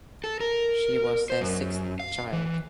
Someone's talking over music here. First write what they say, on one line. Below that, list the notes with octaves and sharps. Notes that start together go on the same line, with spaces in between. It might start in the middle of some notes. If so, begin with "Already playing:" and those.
She was their sixth child.
A4
A#4
C5
F#2
F5
E3